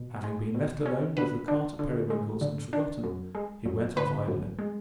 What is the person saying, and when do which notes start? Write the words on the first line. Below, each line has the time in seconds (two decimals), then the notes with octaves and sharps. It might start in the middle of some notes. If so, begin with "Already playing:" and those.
Having been left alone with the cart of periwinkles, and forgotten, he went off idling.
Already playing: B2
0.24 G#3
0.55 B2
0.86 C#4
1.17 D3 B4
1.48 D4
1.79 D3
2.10 G#3
2.41 D3
2.73 D4
3.03 F#2
3.35 G#3
3.66 F#2
3.96 D3 B4
4.28 F#2
4.59 G#3